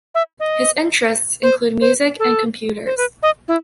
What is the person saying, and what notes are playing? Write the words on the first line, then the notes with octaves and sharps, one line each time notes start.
His interests include music and computers.
E5
D#5
C5
C5
A4
C5
B4
D#5
E4